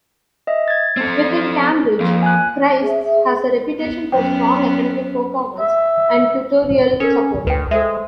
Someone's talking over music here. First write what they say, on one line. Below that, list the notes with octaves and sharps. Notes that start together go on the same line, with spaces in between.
Within Cambridge, Christ's has a reputation for strong academic performance and tutorial support.
D#5 E5
G#6 A6
C4 A4
F2 A#3
G#5 F#6
G#4 E5
B3
F#2 B3 C#4 C5 G5
E5
C#4 A4 A#4
D2 B4 G5
G#3 A4 C5 E5